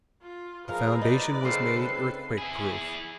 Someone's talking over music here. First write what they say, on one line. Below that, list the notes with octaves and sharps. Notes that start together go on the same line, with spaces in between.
The foundation was made earthquake-proof.
F4
F3 G#4 A#4 B4 F5
D#4 D5
C#3 C4 A4 C7
E4 G#4